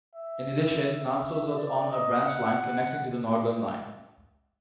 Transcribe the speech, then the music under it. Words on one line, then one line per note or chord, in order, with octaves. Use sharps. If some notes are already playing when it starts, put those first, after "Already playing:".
In addition, Namsos was on a branch line connecting to the Nordland Line.
E5
D5
D#5
F#5